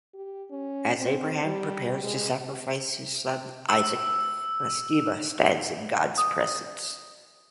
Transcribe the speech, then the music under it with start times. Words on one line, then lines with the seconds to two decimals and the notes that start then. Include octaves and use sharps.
As Abraham prepares to sacrifice his son Isaac, Mastema stands in God's presence.
0.14 G4
0.50 C#4
0.99 C4
1.44 G3
2.03 G#3
2.40 C3
3.69 E6
6.18 D#6